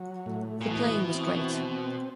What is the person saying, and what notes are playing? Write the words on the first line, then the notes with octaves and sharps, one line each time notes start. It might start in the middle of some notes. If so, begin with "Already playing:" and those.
The playing was great.
Already playing: F#3
A2
A#2
B2 E3
C4